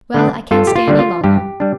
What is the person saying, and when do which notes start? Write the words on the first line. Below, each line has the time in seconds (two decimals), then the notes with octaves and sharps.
'Well, I can't stay any longer.'
0.14 D3 A3 D4
0.51 G2 F4 A4
0.67 G4
0.76 F4
0.88 D3 G3 D4
0.99 F4
1.24 G2 G4
1.60 G3 D4